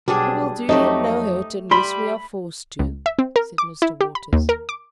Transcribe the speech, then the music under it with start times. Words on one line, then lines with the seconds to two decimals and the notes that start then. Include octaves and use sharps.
"We will do him no hurt unless we are forced to," said Mr. Waters.
0.08 B1 G3 D4 G#4
0.69 F2 F#3 A3 D#4 G4
1.71 G3 B5 C6
2.79 C#2
3.06 E5
3.19 C4
3.36 A#4
3.58 D6
3.82 E4
4.01 G4
4.15 B5
4.33 D#2
4.49 A#4
4.69 D6